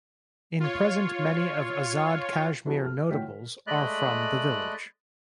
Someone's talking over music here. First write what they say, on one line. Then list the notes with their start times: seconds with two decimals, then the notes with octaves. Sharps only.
In present many of Azad Kashmir notables are from the village.
0.60 F4 C#5
2.65 F3 B3 E4 F#4 G#4 A4
2.85 F6
3.11 D2 E3 F4 C#5 G5 B6
3.28 A#4
3.67 G#3 A3 D5 D#5 B5 F#6